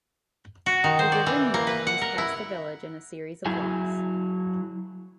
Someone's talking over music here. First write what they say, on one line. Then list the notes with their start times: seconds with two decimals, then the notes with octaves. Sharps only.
The River Nene runs past the village in a series of locks.
0.66 F#4
0.84 D#3
0.99 C5
1.12 D5
1.26 E3
1.54 A#3
1.67 B4
1.87 F#5
2.01 A#4
2.18 E4
3.46 F#3 E4 G#4 G#5